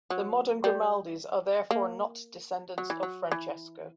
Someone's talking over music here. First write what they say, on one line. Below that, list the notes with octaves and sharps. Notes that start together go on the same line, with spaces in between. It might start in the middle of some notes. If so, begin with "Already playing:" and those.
The modern Grimaldis are therefore not descendants of Francesco.
F#3
G3
A#3
F#3
E3
F#3
E3